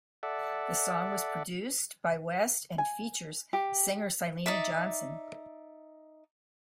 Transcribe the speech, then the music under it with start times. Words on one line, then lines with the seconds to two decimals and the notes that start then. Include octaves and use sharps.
The song was produced by West and features singer Syleena Johnson.
0.23 A4 D5 E5 F#5
2.78 G#5
3.53 G4
4.46 D#4 D5 E5